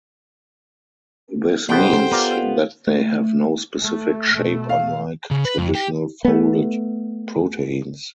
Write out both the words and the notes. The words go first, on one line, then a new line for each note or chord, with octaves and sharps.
This means that they have no specific shape unlike traditional folded proteins.
C2 F2 B3 G4 A4 C5 F#5 G5
B3 F4 A#4 D5 A#5
A3
A3
B2 A3
F5
C#3
B4
F2
G4
A3 B3